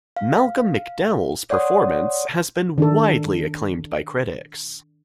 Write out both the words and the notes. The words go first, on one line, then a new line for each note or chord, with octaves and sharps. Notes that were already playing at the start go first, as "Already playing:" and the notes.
Malcolm McDowell's performance has been widely acclaimed by critics.
F5
C#5 D5 F#5 C6 D#6
D#3 D4 A4